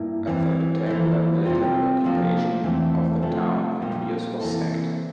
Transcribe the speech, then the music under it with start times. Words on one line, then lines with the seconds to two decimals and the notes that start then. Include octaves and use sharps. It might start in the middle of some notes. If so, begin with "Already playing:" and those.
A third attack led military occupation of the town and Reus was sacked.
Already playing: G2 A#3 E4
0.27 E3 G3 C4
0.86 E3 A#3 E4 A4 C5
1.45 C3 G3 C4 F4
2.04 C3 F3 A#3 D4 A4
2.63 E2 E3 A3 C4
3.22 C3 F3 A3 D4 A4
3.82 A#2 G3 A#3
4.40 C3 E3 A#3 E4 A4